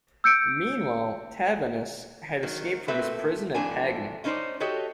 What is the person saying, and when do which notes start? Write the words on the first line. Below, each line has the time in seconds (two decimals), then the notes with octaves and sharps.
Meanwhile, Tavannes had escaped from his prison at Pagny.
0.24 E6 G6 C#7 D7
2.43 D#3 F#3
2.88 A#2 A3 C4 B4 E5
3.54 F2 A2 D4 G#5
4.24 A3 C#4 D#4 B4 C5 D5
4.60 F#4 G4 A4 C#5 D#5